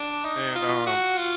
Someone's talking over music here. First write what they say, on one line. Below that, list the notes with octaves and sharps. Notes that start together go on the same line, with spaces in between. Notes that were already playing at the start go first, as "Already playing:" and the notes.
and, um,
Already playing: D4
D#4
F4
F#4
F4